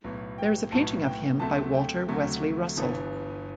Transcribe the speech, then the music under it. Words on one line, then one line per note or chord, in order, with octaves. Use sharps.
There is a painting of him by Walter Westley Russell.
B1 A2 F#3 B3
G5
B1 A2 F#3 B3 A5
G5
D2 C3 F#3 A3 A5
G5
D2 C3 F#3 A3
G1 G2 E3 B3